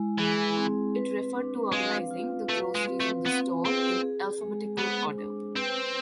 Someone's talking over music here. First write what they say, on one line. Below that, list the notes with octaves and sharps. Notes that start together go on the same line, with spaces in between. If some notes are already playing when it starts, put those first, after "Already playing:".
It referred to organizing the groceries in the store in alphabetical order.
Already playing: G#3 E4
E3 G#4
C4
B4
D4
G#3 F5
F4
A3 B4
G#3
C4
A3
B3 C4
C4 G#4
G#4
G#3
B3 C5
D4
C4 B4